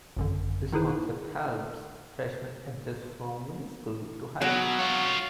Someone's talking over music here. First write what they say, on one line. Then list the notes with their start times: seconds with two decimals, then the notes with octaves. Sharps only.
This concept helps freshmen adjust from middle school to high school.
0.17 G#1 F#2 D3
0.72 D#3 D#4 E4 G#4 B4 C5
4.42 B2 F#3
4.79 F4 C#5